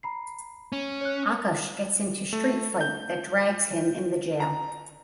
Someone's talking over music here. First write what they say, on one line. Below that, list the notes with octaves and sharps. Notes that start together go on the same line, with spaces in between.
Aakash gets into street fight that drags him in the jail.
A#5 B5 C7
C#4
C#5 F#6
A3
G6
A#5